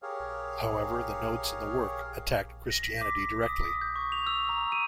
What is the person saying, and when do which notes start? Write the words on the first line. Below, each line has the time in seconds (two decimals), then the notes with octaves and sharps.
However, the notes in the work attacked Christianity directly.
0.02 G4 G#4 A#4 C#5 F5
2.70 A#6
2.83 B6
3.01 D6
3.25 B6
3.42 D#6
3.65 D#6
3.81 G6
3.96 C#6
4.12 F7
4.27 E6
4.49 A#5
4.72 D#7